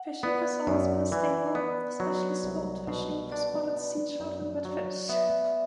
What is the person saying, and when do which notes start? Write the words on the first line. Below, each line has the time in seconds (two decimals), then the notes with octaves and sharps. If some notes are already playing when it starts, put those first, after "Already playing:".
Fishing has always been a staple, especially sport fishing for spotted seatrout and redfish.
Already playing: F#5
0.23 B3 D5
0.67 F#2 D5
1.12 E3
1.55 B3
2.00 F#3
2.44 C2
2.87 B2
3.32 D4 D5
3.77 B3
4.20 F#2
4.65 F#3
5.09 B3 E5